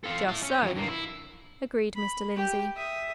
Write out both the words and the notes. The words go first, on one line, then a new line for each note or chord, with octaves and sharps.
"Just so," agreed Mr. Lindsey.
F4 A4
E4 A5
C#4
F2 F#3
G2 A#3
E4
B5
G4 G5
E5 D#6